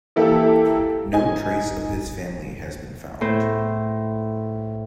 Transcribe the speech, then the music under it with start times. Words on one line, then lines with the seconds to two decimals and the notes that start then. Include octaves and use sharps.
No trace of his family has been found.
0.16 E3 A#3 E4 G4 A4
1.13 D#4 G#5
3.21 A2 C5